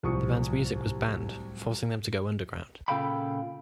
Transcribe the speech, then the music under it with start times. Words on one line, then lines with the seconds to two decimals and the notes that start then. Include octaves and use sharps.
The band's music was banned, forcing them to go underground.
0.03 D1 C2 F3 C#6 D#6 C#7
2.88 A#2 C#3 A4 F5 G5 B5